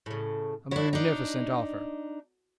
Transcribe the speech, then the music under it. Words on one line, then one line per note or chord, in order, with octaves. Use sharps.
"A munificent offer."
A2 C#3
D4 E4 F#4 C#5
D4 D#4